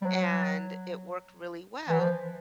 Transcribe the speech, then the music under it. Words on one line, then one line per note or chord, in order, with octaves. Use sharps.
and it worked really well.
G3
F#3
E3
F3